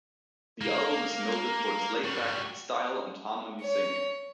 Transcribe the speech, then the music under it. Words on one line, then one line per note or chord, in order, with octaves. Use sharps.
The album is noted for its laid-back style and harmony singing.
A#3
G3 F#4
C#5